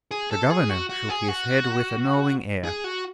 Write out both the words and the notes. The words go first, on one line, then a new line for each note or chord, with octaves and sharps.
The governor shook his head with a knowing air.
G#4
A4
G#4
F#4
F#4
G#4
F#4
G#4
F#4